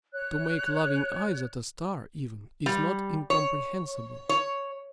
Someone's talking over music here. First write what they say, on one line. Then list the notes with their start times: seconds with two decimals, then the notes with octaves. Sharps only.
To make loving eyes at a star even, is not incomprehensible.
0.13 C#5 F#6
2.66 G3
3.30 C#5
4.29 C#5